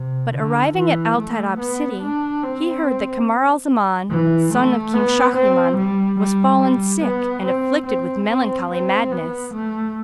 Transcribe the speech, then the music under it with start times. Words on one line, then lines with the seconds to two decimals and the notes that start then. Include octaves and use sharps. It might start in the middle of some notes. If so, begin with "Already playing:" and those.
But arriving at Al-Tayrab city, he heard that Kamar al-Zaman, son of King Shahriman, was fallen sick and afflicted with melancholy madness.
Already playing: C3
0.33 D3
0.76 E3
1.18 A3
1.59 B3
2.01 D4
2.42 C4
4.10 E3
4.52 A3
4.94 B3
5.36 C4
5.77 G3
6.19 G3
6.61 G3
7.03 B3
7.44 C4
7.86 C4
8.28 C4
8.71 C4
9.12 B3
9.54 A3